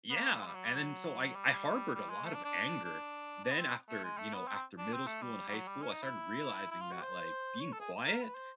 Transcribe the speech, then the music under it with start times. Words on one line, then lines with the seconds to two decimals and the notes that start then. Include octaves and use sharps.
yeah, and then so I I harbored a lot of anger. Then after you know, after middle school and high school, I started realizing that, like, being quiet
0.11 B3
0.16 A#3
0.31 G3
0.41 G#3
0.46 G3
0.55 F#3
0.65 G3
0.75 F#3
1.35 G3
1.95 G3
2.10 G#3
2.25 A3
2.34 D4
2.45 D4
2.85 D4
3.44 D4
3.51 B3
3.59 C4
3.89 A3
4.04 G#3
4.18 A3
4.33 B3
4.47 C4
4.78 D4
4.93 C4
5.07 A3
5.22 G3
5.48 G3
5.52 F#3
5.68 G3
5.82 C#4
5.92 D#4
6.02 E4
6.71 E4
6.81 F4
6.92 F#4
7.02 C5
7.60 C#5
7.72 A4
7.80 G#4
8.06 A#4
8.21 B4
8.35 C5